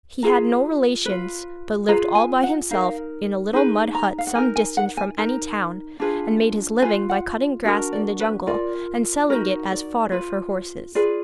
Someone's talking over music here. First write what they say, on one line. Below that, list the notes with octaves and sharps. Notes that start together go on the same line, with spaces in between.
He had no relations, but lived all by himself in a little mud hut some distance from any town, and made his living by cutting grass in the jungle, and selling it as fodder for horses.
F4 G#4 B4 A#5
F4 B4
F4 G#4 B4 A#5
G#5
F#5
D#4 A#4 F5
D#4 G#4 B4
A#5
F5
F#5
D#4 A#4 G#5
G#5
F#5
G#5
D#4 A#4 A#5
D4 F4 G#4 B4
F4 B4 G#5
F#5
D4 F#4 A#4 D#5
D5
B4
F4 A#4 D5
D#4 F#4 A#4 B4
D5
F4 B4
F4 G#4 B4 D5